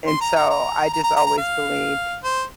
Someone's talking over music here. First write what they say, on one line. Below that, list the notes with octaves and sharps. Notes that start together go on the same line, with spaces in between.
and so I just always believe
C6
A#5
A#5
A#5
A#5
A#5
A#5
A#5
F5
C5